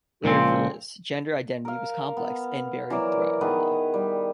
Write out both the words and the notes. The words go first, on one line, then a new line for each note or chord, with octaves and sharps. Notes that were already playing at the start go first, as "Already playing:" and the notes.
Rivera's gender identity was complex and varied throughout her life.
C#2 A#2 F3 C4
A#4 F5
B3
E3 F#3 A#4 D5
D#3 B3 G#4 B4
G3